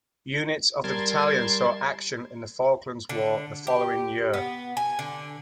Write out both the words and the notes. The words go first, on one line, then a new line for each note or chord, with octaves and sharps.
Units of the battalion saw action in the Falklands War the following year.
G3 A#4 A5 C6 G#6
D3
G4
B3
G#5
D3